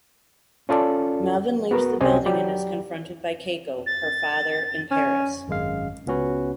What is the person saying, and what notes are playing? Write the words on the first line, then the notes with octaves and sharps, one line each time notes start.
Melvin leaves the building and is confronted by Keiko, her father and Paris.
C#4 F4 A4 D5
B3 F#4 A#4 B4
C2 C4 C#4 G4 D#5 G#5
F#3 G4 D5
A6
C#4
G#1 F#2 G#3 F5
C#2 B3 C#4 F#4 B4